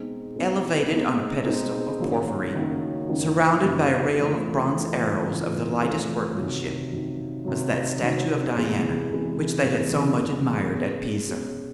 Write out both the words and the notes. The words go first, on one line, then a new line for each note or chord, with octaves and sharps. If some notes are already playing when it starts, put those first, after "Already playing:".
Elevated on a pedestal of porphyry, surrounded by a rail of bronze arrows of the lightest workmanship, was that statue of Diana which they had so much admired at Pisa.
Already playing: B2 G#3 C4 D#4
B2 G#3 C4 D#4
B2 G#3 C4 D#4
B2 G#3 C4 D#4
F#1 F#2 D#3 F#3 A#3
F#1 F#2 D#3 F#3 A#3
F#1 F#2 D#3 F#3 A#3
F#1 F#2 D#3 F#3 A#3
F2 C#3 E3 A3 C4
F2 C#3 E3 A3 C4
F2 C#3 E3 A3 C4
F2 C#3 E3 A3 C4
C3 D#3 F#3
C3 D#3 F#3
C3 D#3 F#3
C3 D#3 F#3
E2 C3 E3 G#3
E2 C3 E3 G#3
E2 C3 E3 G#3
E2 C3 E3 G#3
B2 G#3 C#4
B2 G#3 C#4